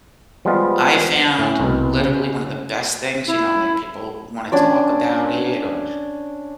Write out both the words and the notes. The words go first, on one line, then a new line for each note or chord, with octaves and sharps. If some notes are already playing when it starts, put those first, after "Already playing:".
I found literally one of the best things, you know, like people wanna talk about it or
F3 G3 G#3 B3 F4
A2 C#4
C2 B2
C#3
E4
C#4 D4 D5 D6